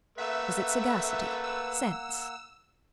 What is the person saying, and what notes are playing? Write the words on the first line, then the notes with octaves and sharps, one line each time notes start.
Was it sagacity?--sense?
A3 A#3 B4 E5 F#5 E6
E6